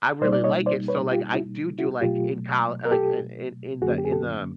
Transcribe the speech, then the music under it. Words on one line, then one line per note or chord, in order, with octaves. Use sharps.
I really like it, so like I do do like in coll like, in in in the in the, um,
B2 G3 A#3 D#4 C5 D5
D5
C#5 D#5
C5 D5
B4 C#5
F4 G4
E4 F#4
E4 F#4
B2 F#3 A3 F4 G4
A#4
G4 A4
F#2 D3 F#3 A#3 C#4 F#4 G#4
G4
G#4
G4 A4